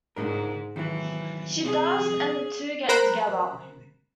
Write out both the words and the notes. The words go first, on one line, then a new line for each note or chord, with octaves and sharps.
She does, and the two get together.
C#2 G#2 D4 A#4
D#3 E3 F#3
C3 G#4
A#4 C5 A#5 B5 F#6